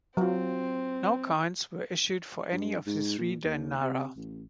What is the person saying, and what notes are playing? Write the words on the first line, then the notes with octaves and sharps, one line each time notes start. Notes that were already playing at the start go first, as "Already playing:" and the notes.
No coins were issued for any of the three dinara.
F#3 C4 F4
G2
G#2
A#2
D#2
C3
A1